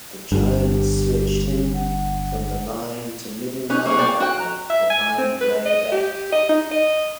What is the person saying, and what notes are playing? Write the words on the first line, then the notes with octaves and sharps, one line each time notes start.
The Giants switched him from the line to middle linebacker behind Ray Beck.
G1 G2 G4
F#5
C#4 D#4 F#6
A#3 G#4 C#6
A#3 D5 G5
F#4 G5 F#6
A#5
E5
G#5
C4
B4
D#5
G4
D#5
D#4
D#5